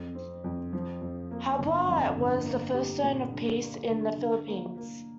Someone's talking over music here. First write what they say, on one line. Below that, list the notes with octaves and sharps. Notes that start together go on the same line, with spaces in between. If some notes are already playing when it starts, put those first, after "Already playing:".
Haba was the first Zone of Peace in the Philippines.
Already playing: F2
C4
F2
F3
F2
A#3
G1
F2
G1
A#3
G4
A#2
D3
A#3
D3
D3
A#3
A#3